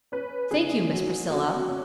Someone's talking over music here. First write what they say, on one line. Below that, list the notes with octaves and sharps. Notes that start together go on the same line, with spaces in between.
"Thank you, Miss Priscilla."
C#4 B4
C#3 G#4
F#3
C#3 F#4
C#4